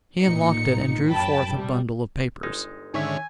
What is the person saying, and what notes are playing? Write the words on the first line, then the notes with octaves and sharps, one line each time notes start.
He unlocked it and drew forth a bundle of papers.
A1 A#2 D#4 C#7
F#2 G5 A5 B5
C3 G3
G1 G#3 D#4
G#2 D3 D#3 C#4 C#5 E5 G#5